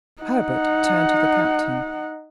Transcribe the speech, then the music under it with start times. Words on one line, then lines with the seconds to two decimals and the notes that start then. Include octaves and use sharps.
Herbert turned to the Captain.
0.23 D#4 F#5